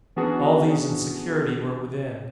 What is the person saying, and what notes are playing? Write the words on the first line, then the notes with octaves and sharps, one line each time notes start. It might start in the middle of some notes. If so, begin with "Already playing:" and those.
All these and security were within.
E3 B3 C#4 D4 F#4 G#4